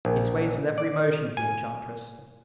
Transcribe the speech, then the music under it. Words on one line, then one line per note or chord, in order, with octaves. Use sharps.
He sways with every motion of the enchantress.
A#1
D5
G#5